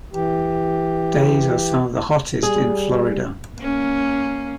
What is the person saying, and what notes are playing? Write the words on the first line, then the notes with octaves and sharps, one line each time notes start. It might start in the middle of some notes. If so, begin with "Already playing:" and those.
Days are some of the hottest in Florida.
E3 G4
G3 G#4
A#3 C#4